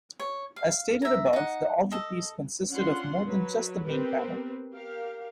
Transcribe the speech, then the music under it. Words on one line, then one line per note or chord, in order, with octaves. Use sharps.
As stated above, the altarpiece consisted of more than just the main panel.
C#5
F5
E5 A#5
D#4 F#5
A4 D#5
C#4 D4 F4 F#5 C6
F#3 B4
B3 C4 G4 A#4 B4
G4 A#4 F5